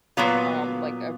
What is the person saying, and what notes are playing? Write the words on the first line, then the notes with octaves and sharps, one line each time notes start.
um, like,
A#2 F#3 B3 F4 B4